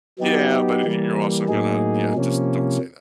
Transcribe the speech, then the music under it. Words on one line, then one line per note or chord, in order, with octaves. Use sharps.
Yeah, but y you're also gonna yeah, just don't say
F#3 B3 D#4 G4
E3 G3 A#3
A2 F#3 A#3 D#4 G#4
C3 F3 A#3 C#4